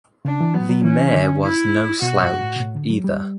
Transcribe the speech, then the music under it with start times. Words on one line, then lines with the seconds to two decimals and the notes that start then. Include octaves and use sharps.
The mare was no slouch, either.
0.25 C#3 D4
0.41 E3
0.54 F#3 B3
0.69 F#3
0.83 E3 C#4
1.13 D3
1.43 E4
2.01 B2 F#4
2.21 G2
2.41 A2
2.56 B2
2.60 A2
2.75 D3
2.90 F#3
3.04 G3